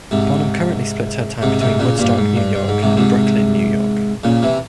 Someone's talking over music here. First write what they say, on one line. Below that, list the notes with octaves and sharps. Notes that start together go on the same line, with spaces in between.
Bonham currently splits her time between Woodstock, New York, and Brooklyn, New York.
G#2 C3
G#2 C3
G#2 C3
A#2 C#3
G2 A#2
G#2
G2
G2
G#2
G#2 C3
G#2 C3
A#2 C#3
C3 E3